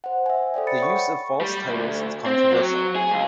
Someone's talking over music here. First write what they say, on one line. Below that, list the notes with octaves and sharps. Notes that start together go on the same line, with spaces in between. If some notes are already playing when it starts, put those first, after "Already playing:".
The use of false titles is controversial.
C5 F#5
E5 G#5
A4 C5 D5 G5
B5 A6 C#7
C#5 F#5 C#6
G3
D2
C4
F#3
G#4
C#2